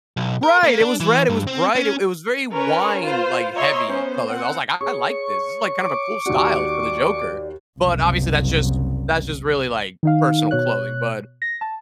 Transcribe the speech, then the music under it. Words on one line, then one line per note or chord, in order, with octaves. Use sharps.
Right. It was red. It was bright. It it was very wine, like, heavy colors. I was like, "I like this. This is kind of a cool style for the Joker." But, obviously, that's just that's just really, like, personal clothing. But
B1
A#4
A#3
D4
E3
G2
C4
C#4
C#4 A#4 B4 C#5
F4 B4 C5
C#5 D#5 E5 A#5 C6
B3 C#4 C5
C4 F#5
G#4 C#5 C#6
D6
D#2 F#4 D5
F#1 C2
D#3 D#4 F5
B2 C#5 F#6
A#6
A5